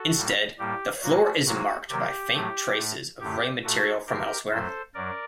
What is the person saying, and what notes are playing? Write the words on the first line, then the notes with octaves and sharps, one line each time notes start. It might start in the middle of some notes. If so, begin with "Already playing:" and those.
Instead, the floor is marked by faint traces of ray material from elsewhere.
Already playing: F#4 A4
A2 G3 A#3
A2 G3 A#3 G4
A#2 F#3 A#3 F#4
C3 F#3 A#3 F#4
C3 D#3 F#3 A#3 G4
A2 F#3 A3
A2 A3
F#2 D3 A3 G4
A#2 A3 F#4 A4
G2 D3 F#3 G4 A#4
F#2 F#3 A3 A4 C5
F#2 F#3 A#4 D5